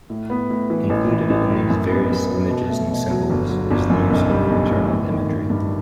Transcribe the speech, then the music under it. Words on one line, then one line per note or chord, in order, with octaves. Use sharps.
Included in these various images and symbols is the use of maternal imagery.
A2
B3
A2
E3
A1
E3
A1
A2
F#2
B3
F#2
F#3
B2
A3
B2
F#3
G1
F#3
G1
F#2
B1
G3
B1
A2
G1
D#3
G1
G2